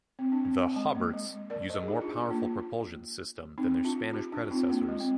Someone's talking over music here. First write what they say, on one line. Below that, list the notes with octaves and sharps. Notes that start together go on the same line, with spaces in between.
The "Hobart"s use a more powerful propulsion system than their Spanish predecessors.
C4
D4
C4
G#3
A#3
G#3
A#4 D5
C5 D#5
G#4
D#4 G4
D4 F4
D4 F4
A#3 D4
A#3
C4 D#4
D4 F4
D#4 G4
D4 F4
F4
C4 D#4
A#3 D4
G#3
C4